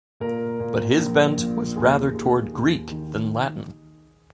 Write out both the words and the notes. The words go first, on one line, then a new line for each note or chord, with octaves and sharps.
But his bent was rather toward Greek than Latin.
A#2 A#4
A#2
A#1
A#2
D#2 G#4
D#2
D#2
D#3